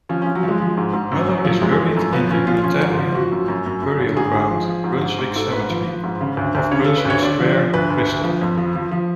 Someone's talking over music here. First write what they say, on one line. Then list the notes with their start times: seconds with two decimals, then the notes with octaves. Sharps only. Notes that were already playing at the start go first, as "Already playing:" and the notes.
Muller is buried in the Unitarian burial ground, Brunswick Cemetery, off Brunswick Square, Bristol.
0.09 F3 C#4
0.22 C#4
0.26 F3
0.35 F#3
0.43 F3 G#3
0.61 F3
0.77 G#2
0.94 G#2
1.12 F#2
1.28 F#2
1.36 F#3
1.45 F3
1.62 F#2 G#3
1.79 F3
1.87 A3
1.97 F#2
2.13 F3 B3
2.30 F3 C#4
2.47 F3 F4
2.64 F3 C#4
2.81 G#2
2.90 F4
2.98 F3
3.15 F3 F#4
3.32 F#2
3.48 F#2
3.66 F#2
3.82 F#2
4.00 D3
4.17 G#2 G#4
4.34 G#2
4.50 F3
4.68 F3
4.84 G#2
5.02 G#2
5.19 G#2
5.36 G#2 A4
5.52 G#2 B4
5.70 F3
5.87 F3
6.04 G#2
6.21 C#3
6.37 D2
6.55 D2
6.71 C#3 C#5
6.84 C#3 A4
6.97 B4
7.05 D2 C#5
7.22 D3 D5
7.39 F3
7.56 F3
7.74 D2 B4
7.90 D2
7.98 B4
8.08 D2
8.23 F3
8.41 F2
8.57 F3
8.75 F3
8.91 F3